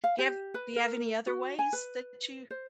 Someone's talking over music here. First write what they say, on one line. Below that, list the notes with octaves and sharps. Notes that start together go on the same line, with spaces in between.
Do you have do you have any other ways that you
F5
G4
B4
A#4
F#4
G#5
B4
C5